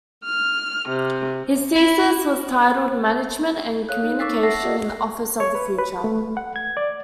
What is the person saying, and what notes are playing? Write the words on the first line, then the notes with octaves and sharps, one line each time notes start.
His thesis was titled Management and Communication in the Office of the Future.
F6
C3
E4
A4 C#5 F5 F#6
D#4
C#6 D6 E6 A6 B6 C7
E5 F#5 A5 E6 A#6 C7
F4 G4 A4 D5 D#5 F#5
C#5
B4
B4
A3
F#5
G#6
D5